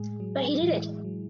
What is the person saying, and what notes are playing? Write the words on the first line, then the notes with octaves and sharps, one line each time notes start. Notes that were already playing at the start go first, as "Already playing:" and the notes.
But he did it!
Already playing: A2 G#3 G#4
F#3
A2 E3 E4
F#3